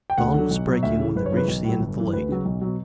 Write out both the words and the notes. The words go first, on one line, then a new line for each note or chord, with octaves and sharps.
Dawn was breaking when they reached the end of the lake.
G5
D2 F#5
D3 F#3
B1
B2 F#3
D2 E5
C#3 E3
F#1 B4
C#5
F#2 C#3 E3 B4
B1
A2 F#3
G1
F#2 E3
D2 B4
C#3 F#3
B1
B2 F#3